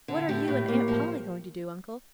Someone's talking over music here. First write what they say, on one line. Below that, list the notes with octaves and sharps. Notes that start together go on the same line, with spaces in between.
"What are you and Aunt Polly going to do, Uncle?"
D3
A2 G4
A2
A#3
F3